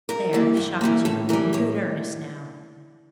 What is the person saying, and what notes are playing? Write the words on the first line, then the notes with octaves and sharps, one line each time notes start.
There, I've shocked you in good earnest now.
G2 A#4
E3 G3 A#3
G2
E3 G3 A#3
A2 A4
E3 G3 A#4
A2 C#5